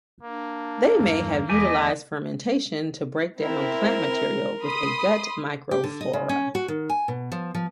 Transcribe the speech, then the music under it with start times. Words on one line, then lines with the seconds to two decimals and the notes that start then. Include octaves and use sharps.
They may have utilized fermentation to break down plant material with a gut microflora.
0.23 A#3 D4
0.99 E2 G2
1.49 E2 A3 D#5 E5 G#5 D6
3.40 C4 E4 A#4
4.62 B5 C6 D#6
5.71 G4
5.84 D3
6.01 D#5
6.13 C#3
6.29 C#4
6.55 F#4
6.68 D#3
6.89 G#5
7.08 B2
7.32 F3
7.55 F3